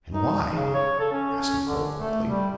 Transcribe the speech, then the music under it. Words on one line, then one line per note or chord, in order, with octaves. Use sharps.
"And why?" asked Nicholl quickly.
D#4
C#3
C#5
A4
C#4
D3
A3
G3